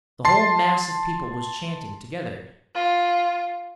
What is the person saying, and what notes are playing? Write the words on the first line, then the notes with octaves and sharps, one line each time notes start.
The whole mass of people was chanting together.
A5 C6 C7
F4